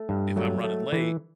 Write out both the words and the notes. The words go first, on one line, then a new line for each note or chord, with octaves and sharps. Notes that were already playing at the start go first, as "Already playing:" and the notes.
if I'm running late
Already playing: A3
G2
F#3 A3
A3
E3